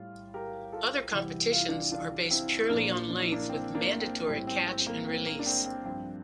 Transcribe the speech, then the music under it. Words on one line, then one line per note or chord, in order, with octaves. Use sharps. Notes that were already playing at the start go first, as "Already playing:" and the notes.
Other competitions are based purely on length with mandatory catch and release.
Already playing: A2 G3 F4
G4 A#4
F4 A4
E2 C3 G3 E4 G4
F4
E4
D4 F4
D4 F4
C4 E4
E4
A#2 F3 A#3 D4
D4
E4
A#3 D4
C4
A#3 D4
C4
A2 G3 C4 E4
C4
C4
C4
A#3
C4
A#3
D4
C4
C4
G2 F3 C4